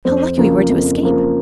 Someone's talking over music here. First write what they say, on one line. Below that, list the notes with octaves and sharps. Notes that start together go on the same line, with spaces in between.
How lucky we were to escape!'
F2 C5
C#3 F3 A#3
F2
C#3 F3 A#3